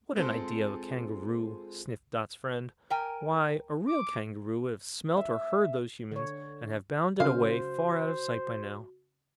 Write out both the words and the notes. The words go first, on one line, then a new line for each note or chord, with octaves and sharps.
"What an idea of a kangaroo!" sniffed Dot's friend, "why, a real kangaroo would have smelt or heard those Humans, and have bounded away far out of sight by now."
G#3 C4 F4 A4
A#4 G5 G#5
D6
E5
D3 C#5
C#3 F#4 C5 F5